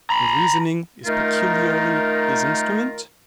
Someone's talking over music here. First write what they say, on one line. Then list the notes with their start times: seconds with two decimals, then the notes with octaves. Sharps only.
And reasoning is peculiarly his instrument?
0.10 A#5 B5
1.05 D#3 A3 D#4 F4 A#4